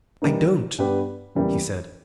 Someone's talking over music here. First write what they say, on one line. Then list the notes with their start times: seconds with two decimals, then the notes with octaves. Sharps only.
"I don't," he said.
0.22 E3 G3 A#3 D#4
0.78 G2 G3 B3 G4 B4
1.35 E2 C#3 E3 G3 A#3